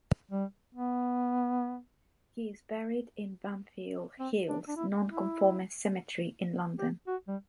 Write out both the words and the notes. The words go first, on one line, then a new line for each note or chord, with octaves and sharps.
He is buried in Bunhill Fields non-conformist cemetery, in London.
G3
B3
C4
D4
D4
E4
E4
G4
F#4
G3